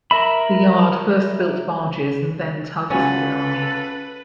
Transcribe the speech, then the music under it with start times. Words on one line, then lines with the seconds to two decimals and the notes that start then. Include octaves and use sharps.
The yard first built barges and then tugs for the Army.
0.11 A#4 E5 B5
2.90 C#2 C#4 F#4 A4 B4 G#5